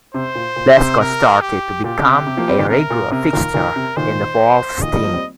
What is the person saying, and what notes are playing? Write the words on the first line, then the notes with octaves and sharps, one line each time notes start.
Lescott started to become a regular fixture in the Wolves' team.
C3 C5
A#2
A#2
C3
A#4
G4
A#2 G4
C3
C3
F3 A#3
G3 C4
A#2 D#3
C3 A#4
A#2
C3 A#4
A#2 D#3
A#2 D#3
C3
A#2 D#3 C5
A#2 D#3 D#5
D#3 G3
F3 A#3
G3 C4